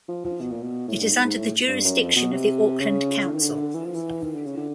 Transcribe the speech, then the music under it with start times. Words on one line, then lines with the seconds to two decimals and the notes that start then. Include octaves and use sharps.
It is under the jurisdiction of the Auckland Council.
0.09 F3
0.25 F3
0.41 B2
0.52 A#2
0.62 B2
0.88 A2
1.01 G2
1.12 G#2
1.24 G#2
1.36 A2
1.68 G2
1.84 F#2
2.00 F2
2.16 B2
2.32 C3
2.80 C#3
3.27 D3
3.35 D#3
3.41 D3
3.75 E3
3.85 F3
3.95 E3
4.23 D#3
4.34 D3
4.46 C#3
4.57 D3